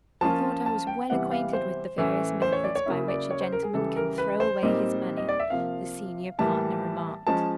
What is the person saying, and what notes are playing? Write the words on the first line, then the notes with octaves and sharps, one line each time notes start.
"I thought I was well acquainted with the various methods by which a gentleman can throw away his money," the senior partner remarked.
F3 A#3 C#4 F4 A5
A5
G5
C3 E3 G3 B3 E4 F#5
F5
C5
A2 E3 A3 C#4
C5
C#5
D5
C#5
C#3 F#3 A#3 C#4 E4
D5
C#5
C5
A#4
G#4
C#3 E3 G3 A4
A#4
B4
C5
A#2 G3 C4 D#4
D#5
D5
E5
C3 F3 A#3 F5
A2 E3 G3 A#3 A5
F3 G#3 C#4 A5